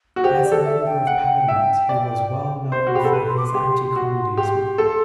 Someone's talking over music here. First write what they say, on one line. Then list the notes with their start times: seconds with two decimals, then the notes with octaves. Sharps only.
As a member of parliament he was well known for his anti-communism.
0.16 F#4
0.24 G4 C5
0.45 D5
0.52 A4
0.65 E5
0.86 G5
1.07 F#5
1.48 E5
1.89 D5
2.72 C5
2.87 F#4
2.95 G4 B5
3.05 A4
3.13 B4
3.27 C6
3.37 D6
3.47 C6
3.54 G4
3.96 F#4
4.37 G4 C6
4.78 A4